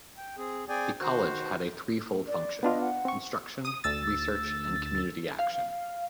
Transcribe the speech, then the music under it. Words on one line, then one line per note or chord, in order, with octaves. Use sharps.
The college had a three-fold function - instruction, research, and community action.
G5
C4 G#4
C4 G#4 D5 G5 G#5
D#3 F#4 C5
D5
B3 D4 F4 D#5
F#5
C4 C#6
D#6
D2 E6 A6
F5